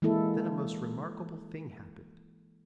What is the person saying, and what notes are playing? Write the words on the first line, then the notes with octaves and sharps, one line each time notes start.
Then a most remarkable thing happened.
E3 G#3 A#3 E4 A4